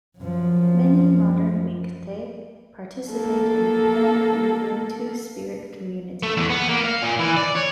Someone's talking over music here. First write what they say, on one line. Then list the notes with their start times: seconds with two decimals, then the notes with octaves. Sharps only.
Many modern "winkte" participate in the pan-Indian Two-Spirit community.
0.18 F#2 F3
3.10 A#3 A4
6.23 A3
6.37 E2
6.50 B3
6.69 A#3
6.85 F5
7.03 A#2
7.20 E3
7.37 D5
7.55 C#5